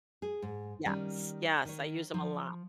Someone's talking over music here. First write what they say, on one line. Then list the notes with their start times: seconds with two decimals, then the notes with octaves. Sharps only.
Yes, yes. I use 'em a lot.
0.22 G#4
0.42 G#2
0.86 D#3 G3 C#4
1.65 D#3 C#5
2.14 F3